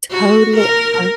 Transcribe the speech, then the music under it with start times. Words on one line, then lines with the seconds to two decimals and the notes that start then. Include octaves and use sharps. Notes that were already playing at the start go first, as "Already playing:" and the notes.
Totally, I
0.10 F#4
0.57 A#4